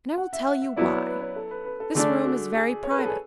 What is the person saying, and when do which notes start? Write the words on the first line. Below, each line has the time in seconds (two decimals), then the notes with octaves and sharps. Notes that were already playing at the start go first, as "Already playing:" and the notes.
And I will tell you why. This room is very private.
0.17 F#5
0.33 E5
0.47 F#5
0.62 E5
0.77 F#3 B3 E4 D5
0.86 C#5
0.97 C#5
1.06 B4
1.21 C#5
1.36 A4
1.51 B4
1.65 B4
1.80 A4
1.95 D3 A3 D4 G#4
2.25 F#4
2.55 G#4
2.83 C#5
2.91 B4
2.99 A4
3.06 G#4